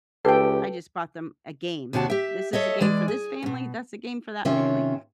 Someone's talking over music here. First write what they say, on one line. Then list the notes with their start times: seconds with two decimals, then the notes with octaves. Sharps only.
I just bought them a game, "This is a game for this family, that's a game for that family."
0.25 C#2 G4 A4 B4 G5
1.93 D#2 C3 D4 F#4 A5
2.10 G4 E5
2.53 A4 C#5 D#5 E5
2.81 E3 G#3 D5
3.08 G#4
3.43 D#2 B2
4.45 C3 D#3 C#4 F4 C#5 E5